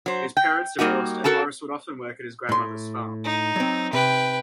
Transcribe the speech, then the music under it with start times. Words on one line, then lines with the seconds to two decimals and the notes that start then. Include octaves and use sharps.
His parents divorced, and Morris would often work at his grandmother's farm.
0.06 F#3 C5
0.37 G5
0.79 G3 A#3 D#4 F#4
1.24 F#4 A4 A#4 A5
2.49 A2 C6
3.24 D#4
3.56 F#3 C4
3.93 C3 B4 G5